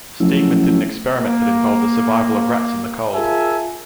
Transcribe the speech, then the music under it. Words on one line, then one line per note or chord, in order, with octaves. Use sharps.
Steegman did an experiment that involved the survival of rats in the cold.
F3 F#3 A3 C#4 E4
A#3
F4 G#4 A#4 E5 G#5 A5